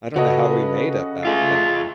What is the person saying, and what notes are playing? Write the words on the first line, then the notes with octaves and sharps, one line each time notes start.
I don't know how we made it back then.
C#3 F#4 A4 B4 D#5
A3 F4 G#4